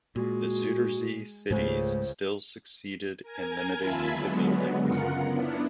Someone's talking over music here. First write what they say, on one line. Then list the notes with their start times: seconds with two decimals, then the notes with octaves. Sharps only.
The Zuiderzee cities still succeeded in limiting the buildings.
0.16 A#2 G#3 F#4
1.50 C#2 G#2 C#3 G#3 A3 C5
3.22 A#4 G#5 G#6
3.78 D#2 F4 E5 G#5 A5 B5
4.09 D3 F#3 G#3 B3
4.80 F#2 C#3 F4 A#4 F#5 C#7
5.26 B3 D4 E4